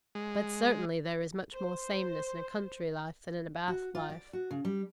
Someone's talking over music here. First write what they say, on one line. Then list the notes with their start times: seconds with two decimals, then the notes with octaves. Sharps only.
But certainly there is much more sameness in a country life than in a Bath life.
0.15 G#3
1.53 C5
3.68 F#4
3.95 F4
4.10 D5
4.33 F#4
4.51 C#3
4.65 G3